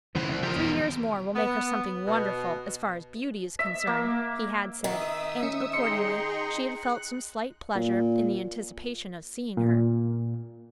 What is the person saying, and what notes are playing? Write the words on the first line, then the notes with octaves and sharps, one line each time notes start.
"Three years more will make her something wonderful, as far as beauty is concerned," he had said; and, accordingly, she had felt some slight pleasure in the anticipation of seeing her.
C#3 E3 C5 F#5
C2
F3 G4 A#4
E2 B2 D3
B3
B2
E5
A#3
D#3 E5 D#6 E6
C#4
D#4 G#4 G5 A#5 C6 C#7
F#6
A#2
A#2